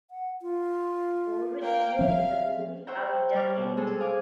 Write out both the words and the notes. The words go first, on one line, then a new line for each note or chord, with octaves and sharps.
Mowry appeared in the movie Are We Done Yet?
F#5
F4
A#3 G5
F3 C4 E5 F5
C5 C#5 E5 F#5 G5 A#5
G3 C#5 D6 F6
B2
G#3 C4 G#4 A4
G#4 F5 G#5 D6